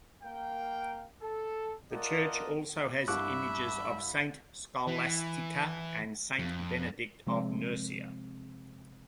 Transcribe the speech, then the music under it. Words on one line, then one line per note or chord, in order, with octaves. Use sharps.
The church also has images of Saint Scholastica and Saint Benedict of Nursia.
A#3 A#4 F5 G5
A4
F4 A#4 D5 D#5 F#5 A5
C2 G2 E5 B5 C#6 D6 F#6
E3
F2
C3 F3 G#3 C4